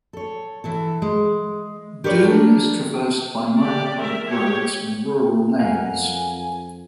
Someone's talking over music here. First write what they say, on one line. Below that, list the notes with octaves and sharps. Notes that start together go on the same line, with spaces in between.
Doon is traversed by minor public roads and rural lanes.
A4 C#5
E3 E4 A4
G#3
G4 A#4 B4 C#5 D5
D4 A#4
G4 D5
A#4 E5
G4 C#5
F2 A#4 F5 F#5 G#5